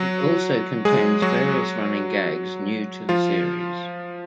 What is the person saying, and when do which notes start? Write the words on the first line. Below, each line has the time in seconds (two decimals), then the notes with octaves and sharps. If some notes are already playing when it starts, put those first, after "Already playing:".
It also contains various running gags new to the series.
Already playing: F#3 F#4
0.85 G#3 G#4
1.22 F#3 F#4
3.09 F3 F4